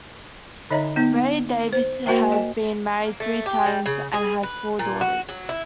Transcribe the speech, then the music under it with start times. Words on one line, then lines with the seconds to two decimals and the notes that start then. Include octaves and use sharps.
Ray Davies has been married three times and has four daughters.
0.70 D3 D#4 C#5 D#5 E5 A#5
0.96 B3 D#4
1.73 C5
2.06 A#3 F#4 A#4 C5 E5 G5
2.31 D#5 G#5
3.20 A3
3.46 G4
3.66 G3
3.86 C#3
4.14 G#4
4.43 B4
4.79 A#2
5.01 F#4
5.29 F#3
5.49 E4